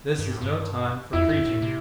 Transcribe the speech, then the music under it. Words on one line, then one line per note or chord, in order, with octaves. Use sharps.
This is no time for preaching!
G2
A2
G2
F2 E4
G2
A2
C3